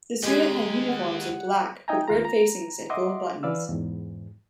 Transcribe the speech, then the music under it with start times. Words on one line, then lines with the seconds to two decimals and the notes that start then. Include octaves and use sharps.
This unit had uniforms in black with red facings and gold buttons.
0.23 D#2 G#3 G4 G#5
0.88 F#5
1.88 D#4 D#5 E5 G5 G#5 A#5
2.08 D#2 F4 A#5
2.25 A#5
2.90 D#5 E5 F#5 C6 D6
3.43 E3 B4 D5 F5 E6
3.69 E2 G#2